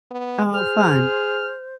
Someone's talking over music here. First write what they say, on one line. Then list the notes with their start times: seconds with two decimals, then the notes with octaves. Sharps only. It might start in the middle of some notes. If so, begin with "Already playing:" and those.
Oh, fun.
0.11 B3
0.54 G#4 C5 F6